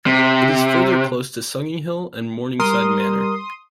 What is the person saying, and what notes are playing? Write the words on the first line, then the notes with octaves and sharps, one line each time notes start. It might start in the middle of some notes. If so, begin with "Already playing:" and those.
It is further close to Sunninghill and Morningside Manor.
C3
G3 A#4 C6 D#6